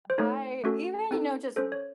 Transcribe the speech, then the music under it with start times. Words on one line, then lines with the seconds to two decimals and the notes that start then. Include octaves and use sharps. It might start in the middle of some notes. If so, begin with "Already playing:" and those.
I, even, you know just
0.10 C5
0.18 A3 D#4 A4 C#5
0.64 A3 C#4 F#4 A4
1.11 C4 D#4 A4
1.56 C#4 A4 C5
1.72 C#5